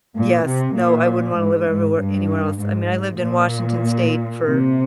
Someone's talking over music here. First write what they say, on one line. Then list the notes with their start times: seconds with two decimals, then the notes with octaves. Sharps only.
yes. No, I wouldn't wanna live everywhere anywhere else. I mean, I lived in Washington State for
0.16 A#2
0.46 C3
0.77 A#2
1.38 G#2
1.68 G#2
1.99 G2
2.60 G#2
3.21 A#2
4.44 C3